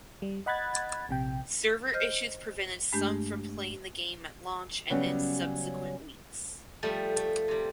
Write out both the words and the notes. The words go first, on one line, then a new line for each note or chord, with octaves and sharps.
Server issues prevented some from playing the game at launch and in subsequent weeks.
G3
D#5 F#5 B5 F#6 G#6 A6
A#1 C3 G5
C5 D#5 F6 G6
G2 G#3 A3 D4 G4 G6
C#3 F#3 G3 B3 C#4
F3 G3 A3
A3
C3 G3